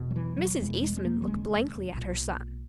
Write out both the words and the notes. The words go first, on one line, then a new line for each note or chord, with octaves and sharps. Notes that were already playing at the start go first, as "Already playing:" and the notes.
Mrs. Eastman looked blankly at her son.
Already playing: E1 E2 B2
F#3
E3
F#3
E1 E2 B2 G#3
G#3
G#3
A#3
F#3
E1 D#2 C#3 G#3
B1 A#2